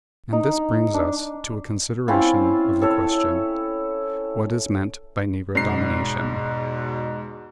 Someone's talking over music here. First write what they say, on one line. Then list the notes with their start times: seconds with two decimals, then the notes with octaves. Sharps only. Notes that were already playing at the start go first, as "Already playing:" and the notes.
And this brings us to a consideration of the question, What is meant by "Negro Domination?"
0.33 D#4
0.94 D4
2.08 C4 C#4 E4 F4
2.82 A4 C#5 E5
5.55 E2 G#2 B2 C7